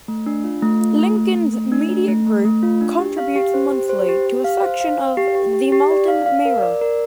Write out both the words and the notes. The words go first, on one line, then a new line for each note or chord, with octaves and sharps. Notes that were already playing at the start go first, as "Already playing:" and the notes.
Lincoln's Media Group contributes monthly to a section of "The Malton Mirror".
A3
D4
F4
A3
F4
A3
A3
A3
A3
D4
A3
A3
A3
A3
F4
D4
G4
F5
G4
C5
G4
C5
G4
G4
F5
C5
F5
F5
G4
G4
G4
G4
D5
F5
F5
A#4
D5
A#4